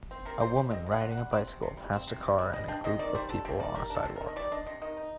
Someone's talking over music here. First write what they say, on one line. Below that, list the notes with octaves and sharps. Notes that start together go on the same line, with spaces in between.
A woman riding a bicycle past a car and a group of people on a sidewalk.
C4
C3 A#4
C3 C5
G3
C4 D#5
C3 F#5
C3
F#5
G3
C4
C3
C3
G3
C4
C3
C3
G3
G3 D#5
D4 G5
C3 D#5
D#3 D5
G3 C5
D4 A4
C3 G4
D#3 D5
G3 A#4
D4 A4
C3
A#4
D#3
D#5
G3 D5
D4 D#5
C3 D#5
D#3 D#5
D#4